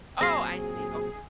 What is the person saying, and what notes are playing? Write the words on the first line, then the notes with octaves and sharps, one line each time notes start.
oh, I see, okay.
A#2 F#3 C4 G#4 A#6 C7